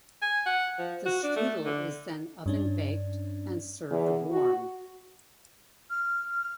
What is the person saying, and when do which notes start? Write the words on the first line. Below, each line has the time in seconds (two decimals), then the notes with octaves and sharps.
The strudel is then oven baked, and served warm.
0.22 G#5
0.46 F#5
0.79 F3
1.06 F#4
1.23 D4
1.36 A3
1.66 D3
2.46 G2 C#4 D4
3.90 E2
4.30 F#4
5.90 F6